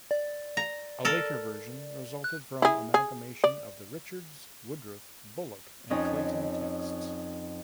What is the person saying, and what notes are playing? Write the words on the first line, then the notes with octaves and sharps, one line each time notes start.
A later version resulted from amalgamation of the Richards, Woodruff, Bullock and Clayton texts.
D5
A#5
A4 A#4
F#6
E4 G#4
G#4
D5
F2 C#4 D#4